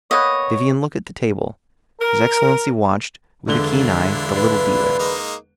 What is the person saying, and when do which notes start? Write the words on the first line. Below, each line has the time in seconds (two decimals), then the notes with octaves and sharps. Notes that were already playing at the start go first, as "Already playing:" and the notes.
Vivian looked at the table; his excellency watched, with a keen eye, the little dealer.
0.11 A#3 B3 B4 C#5 D#5
2.01 A#4
3.48 E1 D3 D4 E4 F4 G7
4.37 B4
4.99 G#3 A#3 D#4